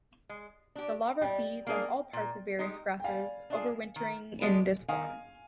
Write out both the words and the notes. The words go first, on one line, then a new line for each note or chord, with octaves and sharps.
The larva feeds on all parts of various grasses, overwintering in this form.
G#3
D4 G4
G3 D#5 G5
A#3 D4 G#4
A#2
G#3 D#4 G4
G5
G3 F5 G#5
D4 F4 G#4
D#3
G#3 D4 G4
D#3 F5 G#5